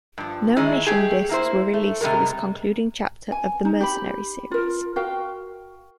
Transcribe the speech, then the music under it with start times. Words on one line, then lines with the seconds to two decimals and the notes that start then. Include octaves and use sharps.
No mission disks were released for this concluding chapter of the "Mercenary" series.
0.18 G2 F3
0.56 D#3 E3 G#3 E4
0.87 A3 G4 G#4
1.29 A#3 E4 C5
1.74 A3
2.01 C3 G3 G#3 A#4
3.32 G#5
3.65 D#4
3.81 G4 B5
4.51 F4 A#4
4.96 F#4 A#4 F5 G5